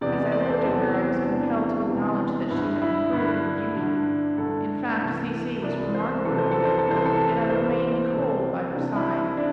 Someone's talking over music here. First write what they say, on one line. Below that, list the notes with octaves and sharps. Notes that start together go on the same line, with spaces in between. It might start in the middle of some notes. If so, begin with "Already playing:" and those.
As I looked at her, I was compelled to acknowledge that she had improved in beauty; in fact C---- C---- was remarkably beautiful, yet I remained cold by her side.
E2 C3 E3 D5
D5
C5
A4
C5
E2 C3 E3 A4
E2 C3 E3 D4
E2 C3 E3
G2 D3 E4
E4
G2 D3 E4
G2 D3
G2 D3 A4
C2 C3 E3
C2 C3 E3 D5
C5
C2 C3 E3 A4
C5
A4
C5
A4
C2 C3 E3 C5
A4
C2 C3 E3 C5
C5
C2 C3 E3 A4
C2 C3 E3 D4
E4
E4
D4